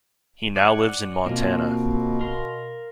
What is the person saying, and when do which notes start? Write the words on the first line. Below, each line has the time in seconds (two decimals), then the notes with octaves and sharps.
He now lives in Montana.
0.56 D5 F#5 G#5
1.26 B2 A#3 C4 F4
2.21 A#4 F5 C6